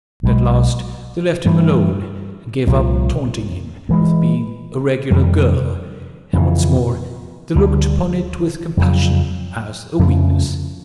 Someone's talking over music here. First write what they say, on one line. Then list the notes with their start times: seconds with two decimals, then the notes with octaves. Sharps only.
But at last they left him alone and gave up taunting him with being a "regular girl," and what's more they looked upon it with compassion as a weakness.
0.23 B1 B2 G#3
1.45 G2 E3 A3
2.67 C2 A#2 F3
3.89 G2 E3 G#3
5.11 F2 C3 D#3 G3
6.33 F2 C#3 E3
7.55 D2 D3 G3
8.77 F2 C#3 F#3
9.99 F2 C#3 F3 A3